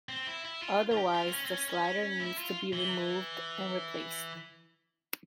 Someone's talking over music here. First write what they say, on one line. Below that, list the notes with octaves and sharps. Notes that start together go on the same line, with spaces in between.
Otherwise the slider needs to be removed and replaced.
C4
E4
E4
F4
F4
G4
F4
C4
C#4
C4
C#4
C#4
E4
F4
E3